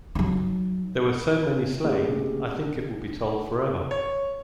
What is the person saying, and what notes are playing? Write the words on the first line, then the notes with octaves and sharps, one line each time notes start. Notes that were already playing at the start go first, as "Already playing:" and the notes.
There were so many slain I think it will be told forever.
F#3 D#4
A3 A#3 C#4 G4 G#4
C#5